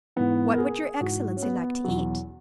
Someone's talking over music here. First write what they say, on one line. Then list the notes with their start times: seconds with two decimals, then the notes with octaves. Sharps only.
"What would your excellency like to eat?"
0.16 G#2 E3 B3
0.54 A#4
0.58 G#4
1.01 G#2 E3 F#4
1.37 C#4
1.43 B3
1.84 E2 B2 F#3